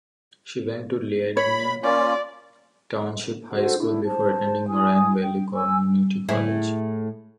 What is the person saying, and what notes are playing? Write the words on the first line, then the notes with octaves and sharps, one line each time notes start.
He went to Leyden Township High School before attending Moraine Valley Community College.
C#5 B5
A#3 C#4 F4 D5
F#4 A4 C5 F#5
D4 E4
C5 A5
E4 G#5 D#6
G5
G#5 E6
A2 E4 G#4